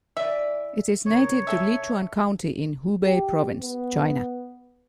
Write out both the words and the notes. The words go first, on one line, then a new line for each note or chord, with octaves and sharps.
It is native to Lichuan county in Hubei province, China.
E3 D5 E5
C#3 A#4 C#5
A4 E5
G4
B3